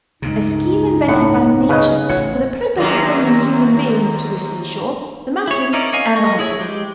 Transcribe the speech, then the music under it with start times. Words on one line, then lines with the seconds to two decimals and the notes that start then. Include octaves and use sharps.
A scheme invented by Nature for the purpose of sending human beings to the seashore, the mountains and the hospital.
0.22 C#2 G2 C3 D#4
1.08 A2 F#5
1.69 C#3 B4 D#5
2.09 A1 C#5 F#5
2.77 D#2 C3 F#3
5.47 E4 C#5
5.73 C#4 D#4 E4 A#4 D5
5.93 C#5 D#5 F5 G#5
6.16 D#5 C#6
6.39 E4 G#4 C#5
6.59 G#3 G4